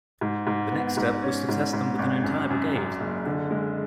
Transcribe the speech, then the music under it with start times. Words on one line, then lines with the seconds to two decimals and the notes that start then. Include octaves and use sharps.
The next step was to test them with an entire brigade.
0.21 G#2
0.47 G#2
0.71 B3
0.97 G#2
1.22 C#4
1.49 G#2
1.73 G#2
1.99 G#1
2.24 F#2
2.50 F#2
2.76 F#2
3.00 F#1
3.26 D3
3.51 G#3